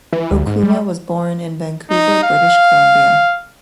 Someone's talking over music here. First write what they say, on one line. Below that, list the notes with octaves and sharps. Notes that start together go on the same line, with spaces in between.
Okuma was born in Vancouver, British Columbia.
E3
D2
G#2
G3
D#4
F5